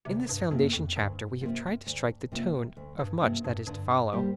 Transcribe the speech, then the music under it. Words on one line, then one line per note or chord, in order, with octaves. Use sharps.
In this foundation chapter we have tried to strike the tone of much that is to follow.
D2 C3
G2
G2 C3 A#3 F4
F2
D2 G2
C3 A#3 F4
D2
C3 A#3 F4
D2
G2
G2 C3 A#3 F4
G2
G2 D3
G3 A#3 G4 C5